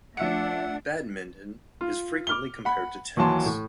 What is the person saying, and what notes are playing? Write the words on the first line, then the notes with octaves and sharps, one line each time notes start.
Badminton is frequently compared to tennis.
F3 A3 D4 E5 F#5 C#7
F4
D6 F6 G7
F#5 B5
D#2 E3 F#3 A5 C6
A2